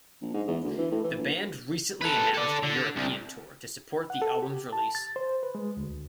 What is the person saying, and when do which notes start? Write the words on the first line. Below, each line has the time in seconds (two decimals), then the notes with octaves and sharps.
The band recently announced a European tour to support the album's release.
0.22 A#1
0.33 G#2
0.48 E2
0.64 D2
0.78 E3
0.91 A2
1.04 E3
1.18 A#1
2.02 A4 B4
2.34 A4 D5
2.63 D3
2.96 C2
4.10 F#5
4.22 A4
4.42 G4
4.73 A5
4.95 A6
5.16 C5
5.43 B4
5.55 G#3
5.77 D2